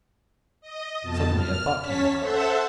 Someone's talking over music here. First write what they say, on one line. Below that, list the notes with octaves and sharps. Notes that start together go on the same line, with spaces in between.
Suddenly a thought came to Hans.
D#5
F2 B2 A5
F6
C#4 C#5 A5 B6
A4 C5 E5 F#5 A5